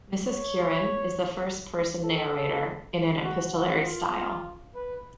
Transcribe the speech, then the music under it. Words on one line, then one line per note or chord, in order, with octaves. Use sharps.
Mrs Curren is the first person narrator in an epistolary style.
C#5
A4
F#4
F#4
F4
B4